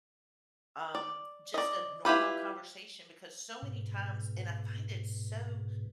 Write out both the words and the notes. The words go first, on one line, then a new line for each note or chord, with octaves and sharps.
um, just a normal conversation because so many times and I find it so
D5
D5 D#5
E4 F4 G4 B4
G#2 B2